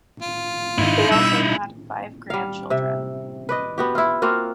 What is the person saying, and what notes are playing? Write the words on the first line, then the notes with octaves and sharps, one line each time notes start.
They also had five grandchildren.
F4
G#2 D#3 D#4 E4
B2 G3 E5 E6
G3 F5
C3 E5
B4 D5 D#5
B3 F#4 G4
E4 F4
A#3 C4 F4 F#4